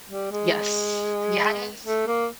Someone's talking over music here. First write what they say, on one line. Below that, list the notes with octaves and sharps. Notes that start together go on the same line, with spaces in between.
Yes. Yes!
G3
G#3
A3
A#3